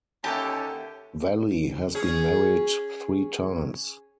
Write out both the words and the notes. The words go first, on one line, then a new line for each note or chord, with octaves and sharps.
Valli has been married three times.
D#2 D3 C#4 G4 A4 E5 G5 A5
C#4 G#4